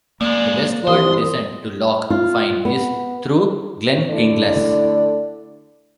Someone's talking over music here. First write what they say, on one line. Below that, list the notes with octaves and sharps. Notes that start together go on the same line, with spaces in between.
The westward descent to Loch Fyne is through Glen Kinglas.
F#2 G#3 A#3 D5
C2 E3 C6 D#6
F4
B3
D3 A3 E4 A4 D5